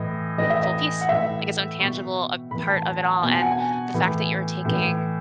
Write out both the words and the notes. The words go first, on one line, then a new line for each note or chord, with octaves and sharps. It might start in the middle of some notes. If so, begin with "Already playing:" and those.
full piece, like its own tangible, uh, part of it all, and the fact that you're taking,
Already playing: A2 E3 D#5
A2 E3 D#5
E5
D#5
F#5
A2 E3 E5
B2 C#6
A2 E3 B5
A5
A5
F#5
B2 A5
G#5
F#5
G#5
A2 E3
A2 E3